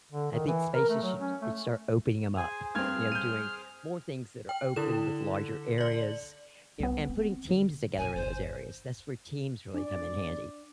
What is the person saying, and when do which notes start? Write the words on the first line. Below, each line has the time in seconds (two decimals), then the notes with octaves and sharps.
I think spaces should they start opening 'em up, you know, doing more things that are open with larger areas, you know, and putting teams together in those areas. That's where teams really come in handy.
0.12 D3
0.32 D#3
0.47 E3
0.74 A#4
0.89 A3
1.03 F#3
1.19 C#4
1.42 A3
2.37 G#4 C5 G#5
2.75 G2 C4 F6 G#6
3.12 G6 D#7
4.49 G5
4.76 D3 E4 E7
5.78 D5 F#7
6.80 C2 A#3 B3
7.10 C4
7.50 D3
7.98 B2 E4 G#5
8.16 G1 C#2 C5
9.74 D4 D5